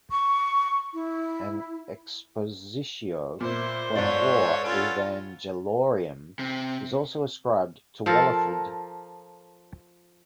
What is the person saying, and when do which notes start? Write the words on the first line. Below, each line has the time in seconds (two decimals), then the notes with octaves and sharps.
An "Expositio quatuor Evangeliorum" is also ascribed to Walafrid.
0.11 C#6
0.94 E4
3.40 A#2 E4 C5
3.95 G#2 F4 A4 C#5 D5
4.64 B3 C#4 F4 A4 D7
6.39 C3
8.06 F3 A4 A#4